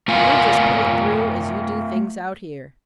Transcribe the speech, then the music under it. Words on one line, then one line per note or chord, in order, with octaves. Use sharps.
You'll just put it through, as you do things out here.
A3 F4 A#4 F5 F#5 G#5